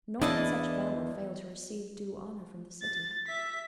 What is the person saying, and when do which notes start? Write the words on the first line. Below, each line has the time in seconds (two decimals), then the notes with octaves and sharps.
Nor did such valor fail to receive due honor from the city.
0.22 E2 D4 E4 D5 D#5 A5
2.82 A6
3.26 E5 B6